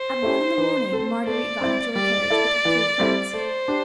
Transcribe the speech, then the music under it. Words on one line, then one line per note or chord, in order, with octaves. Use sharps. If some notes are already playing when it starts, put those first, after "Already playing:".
At one in the morning Marguerite got into her carriage with her three friends.
Already playing: C5
A3 E4 G4
E3
C4 A4
A3 D5
C4 E4
G3 D5
E4 A4
E3
G3 C4 E4 A4
A3 C5
D4 G4